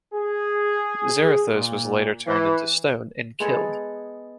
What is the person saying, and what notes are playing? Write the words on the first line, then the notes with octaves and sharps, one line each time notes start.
Zarathos was later turned into stone and killed.
G#4
A#2
E3
G#3 B3 G#4 A4